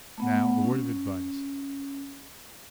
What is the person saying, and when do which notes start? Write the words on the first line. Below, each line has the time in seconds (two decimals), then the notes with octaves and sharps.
"Now, a word of advice."
0.18 A3 B3 F#5
0.62 C#4